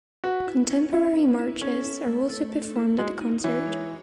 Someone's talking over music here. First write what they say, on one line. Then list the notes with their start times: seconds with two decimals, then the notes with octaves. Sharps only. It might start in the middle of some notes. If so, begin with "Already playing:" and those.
Contemporary marches are also performed at the concert.
0.24 F#4 B4
0.47 E4
0.70 C#4
0.93 C#4 E4
1.16 B4
1.39 E4
1.61 C#4 A4
1.84 E4
2.07 A3
2.30 A3
2.52 A4
2.76 E4
2.98 G#3 F#4
3.21 D#4
3.44 E3 C#5
3.67 G#3